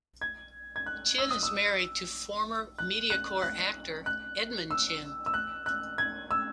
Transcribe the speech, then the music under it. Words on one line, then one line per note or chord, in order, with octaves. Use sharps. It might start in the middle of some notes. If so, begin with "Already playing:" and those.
Chen is married to former MediaCorp actor Edmund Chen.
G#6
G#6
F#6
E6
D#6
E6
F#6
F#6
F#6
F#6
E6
E6
F#6
F#6
G#6
E6